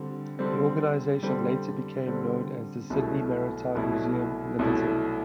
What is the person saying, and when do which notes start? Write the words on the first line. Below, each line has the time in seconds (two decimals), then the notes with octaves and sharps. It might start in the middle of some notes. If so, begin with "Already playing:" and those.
The organisation later became known as the "Sydney Maritime Museum Ltd".
Already playing: D3 G3 C4
0.39 D3 G3 C4
1.23 D3 G3 C4
2.06 D3 G3 C4
2.90 C2 B2 F#3 A3 E4
3.75 C2 B2 F#3 A3 E4
4.59 C2 B2 F#3 A3 E4